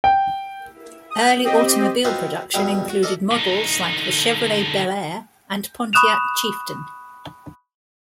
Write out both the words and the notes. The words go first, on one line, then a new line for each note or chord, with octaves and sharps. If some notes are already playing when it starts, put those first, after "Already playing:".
Early automobile production included models like the Chevrolet Bel Air and Pontiac Chieftain.
G5
D#6 G6
C4 G4 D#5
B3 C4 D#4 F4 F#4
E2 G2 B2 G3 G#5
F#4
A4 A#4 D5 D#5 A5
D3 D#4
B5 C#6 D#6 F#6 E7 F7